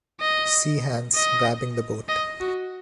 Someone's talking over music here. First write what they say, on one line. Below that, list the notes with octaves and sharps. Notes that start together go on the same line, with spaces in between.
Sea hands grabbing the boat.
D#5
D#5
D#5
F#4